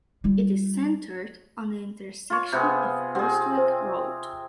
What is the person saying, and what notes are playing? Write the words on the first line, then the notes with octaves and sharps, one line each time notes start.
It is centered on the intersection of Bostwick Rd.
G3 F4
F4 C#5
C3 B3 G#4 F#6 G6
C4 G4 G#4 F#5
C5